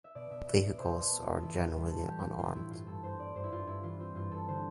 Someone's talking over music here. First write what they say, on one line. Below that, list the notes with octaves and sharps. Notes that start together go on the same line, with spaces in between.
Vehicles are generally unarmed.
E5
B2 D5
B2 E5
B3 E5
B3 D5
B2 C5
B2
A4
B3
B2 F4
F4
E3 E4
A2
F4
G3
A4
A2
G3 G4
A2
A2 F4
A2 E4
G2 F4
G2 A4
G2 C5
G2 D5
G2 C5
E4
G2 F4
G2 E4
E3 F4
C4 F4
G2 F4
G2 A4
D3 C5